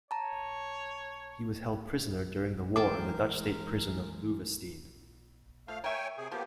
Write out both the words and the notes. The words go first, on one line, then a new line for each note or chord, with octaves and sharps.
He was held prisoner during the war in the Dutch state prison of Loevestein.
C#5 A5 A#5
E3 G#3 G#4 A#4 G5 A5 D6
F3 A3 F5
A#4 C#5 E5 G5 G#5
C3 G#4
F3 A#3 B3 G4